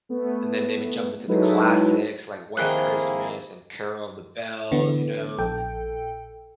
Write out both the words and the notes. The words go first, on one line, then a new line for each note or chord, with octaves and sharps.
and then maybe jump into the classics like White Christmas and Carol of the Bells, you know.
A3 B3
F#3 G#3 D#4 E4 A4 B4
F2 D#3 A#3 E4 G#4 C5 G5 F#6
D3 E3 B3
A#1 A4 G5